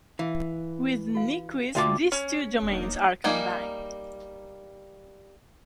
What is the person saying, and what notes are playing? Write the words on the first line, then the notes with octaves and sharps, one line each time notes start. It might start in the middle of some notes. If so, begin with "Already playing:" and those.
With Nyquist these two domains are combined.
E3 F5
F#4 F5
D2 F4 G5 A5 D6
C#4 C#5
E1 A#3 D4 D#4
G3 A#3 D#4 G#5